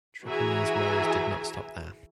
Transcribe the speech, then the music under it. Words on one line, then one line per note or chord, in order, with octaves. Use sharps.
Trpimir's woes did not stop there.
E3 F#4 G#4 E5 G#5 A#5